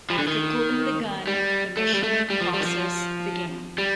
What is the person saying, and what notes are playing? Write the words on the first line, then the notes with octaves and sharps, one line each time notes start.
After cooling the gun the machining process began.
F3
D3
D#3
G3
A3
G3
A3
G3
F3
G3
D#3
F3
G3